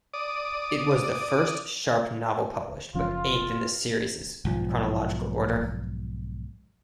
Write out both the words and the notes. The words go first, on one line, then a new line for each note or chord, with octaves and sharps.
It was the first Sharpe novel published, but eighth in the series' chronological order.
D5 D#6
F#1 F3 C#4 F4
B1 G#2 F3